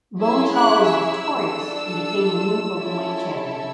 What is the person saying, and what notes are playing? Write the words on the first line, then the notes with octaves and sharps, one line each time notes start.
Lone Chaw was victorious and became the new Openweight Champion.
C#4 E4 G#4 E6
F#6
E6
D4 A4
C#4 E4 A4
E6